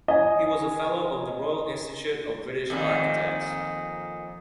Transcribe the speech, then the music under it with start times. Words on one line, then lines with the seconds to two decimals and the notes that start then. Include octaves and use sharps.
He was a fellow of the Royal Institute of British Architects.
0.08 D#5 G#5
2.70 F2 A#2 D#3